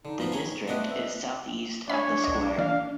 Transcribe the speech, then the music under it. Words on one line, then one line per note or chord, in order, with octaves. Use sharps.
The district is southeast of the square.
D3 D#4
F3 B3 F4
C#5 G#5 A#5
A3 B3 C4 D4 D#5 F#5
E5
D4 C#5 G#5 B5
B1 D#5
E3 A#3 D5 F5